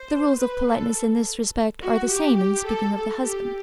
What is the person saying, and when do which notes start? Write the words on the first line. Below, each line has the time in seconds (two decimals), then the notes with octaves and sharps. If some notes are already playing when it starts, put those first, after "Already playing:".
The rules of politeness in this respect, are the same in speaking of the husband.
Already playing: C5
0.39 B4
0.68 A4
1.81 F#4
2.10 G4
2.38 G4
2.66 A4
2.95 A4
3.24 G4